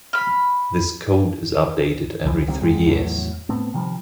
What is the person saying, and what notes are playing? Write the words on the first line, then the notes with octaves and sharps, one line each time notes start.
This code is updated every three years.
B5 F6
C#2 E3 F3
C#2 D#3 G3 C4
F#1 F#2 G#3
E2 A2 F#3
A2 A3 B3 C4
C3 D#3 F3 G3